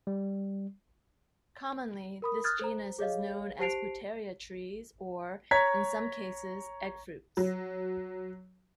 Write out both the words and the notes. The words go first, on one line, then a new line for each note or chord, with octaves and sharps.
Commonly, this genus is known as pouteria trees or, in some cases, eggfruits.
G3
A#4 B5 D#6
D#6 F6 F#6 G#6 A6
A4 C5 A#5
G#4 C#5 D#5 F5
G4 C5 A5 C7 D7 F7
C#5 A#5 G#6 B6
F#3